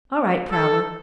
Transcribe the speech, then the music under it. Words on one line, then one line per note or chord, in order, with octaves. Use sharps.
"All right, Prowler."
A4